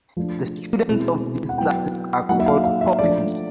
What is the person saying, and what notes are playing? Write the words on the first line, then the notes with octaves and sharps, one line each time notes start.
The students of these classes are called "taupins".
F3 A3 D4
B2 G#3 C4 E4
F#5
F#3 B3 E4 G5
F#3 A#3 D#4 F#5
E5
F5
F5
E5
F3 A3 D4 D5